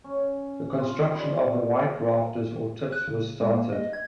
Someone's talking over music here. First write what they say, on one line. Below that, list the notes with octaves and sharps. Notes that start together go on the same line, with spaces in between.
The construction of the white rafters, or tips, was started.
C#4
F4
G3
F#6
C#3
G#3
A#3
D#5
G#6